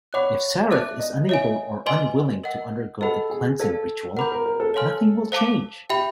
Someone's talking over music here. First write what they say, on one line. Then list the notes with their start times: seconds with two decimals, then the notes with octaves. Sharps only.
If Sareth is unable or unwilling to undergo the cleansing ritual, nothing will change.
0.13 C#5 F#5 B5 D6 F#6
0.70 D5 E5 A5 D6 F#6
1.00 D#5
1.29 C#5 D#5 E5 G#5
1.86 B4 D5 D#5 G#5 C6
2.44 A#4 D#5 F#5
3.01 A4 D#5 F#5 B5
3.30 G#4
3.59 A4 D5 F5 A5
4.17 A#4 F#5 B5 D6 G6
4.32 A#4
4.46 A#4
4.60 A4
4.74 C#5 F5 G#5 C6 F6
5.32 C5 F5 A5 D6
5.90 G4 E5 G5 B5